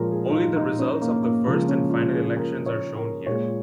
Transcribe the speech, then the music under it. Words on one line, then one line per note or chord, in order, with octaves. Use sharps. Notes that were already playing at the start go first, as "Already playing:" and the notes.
Only the results of the first and final elections are shown here.
Already playing: A#2 F3 G#3 A#4 C#5
G#4
D#4
F4
D#4
C#4
A#3
A#3
C#3 F3 G#3 A#3
C#4
F4
G#4
A#4
C#5
A#4
A#2 G#3 C#5